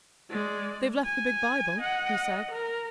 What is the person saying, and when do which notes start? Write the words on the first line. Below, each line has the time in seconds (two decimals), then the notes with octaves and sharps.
"They've left the big Bible," he said.
0.30 G#3 D5
1.05 G#5
1.79 D#5 F#5
2.51 A#4